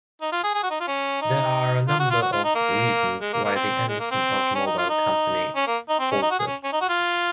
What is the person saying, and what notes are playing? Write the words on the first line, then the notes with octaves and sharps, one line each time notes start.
There are a number of reasons why the Anderson Automobile Company faltered.
D#4
F4
G#4
G#4
F#4
D#4
F4
C#4
D#4
F4
F#4
F4
F#4
F4
D#4
A#3
G#3
A#3
A#3
C4
G#3
A#3
C4
C#4
D#4
F4
D#4
C#4
A#3
D#4
C4
C#4
D#4
F#4
G#4
C#4
C#4
D#4
F#4
F4